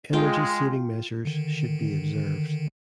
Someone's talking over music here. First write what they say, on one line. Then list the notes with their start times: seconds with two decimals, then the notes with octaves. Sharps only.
Energy saving measures should be observed.
0.13 G#3 F4 G5
1.25 D3 D#3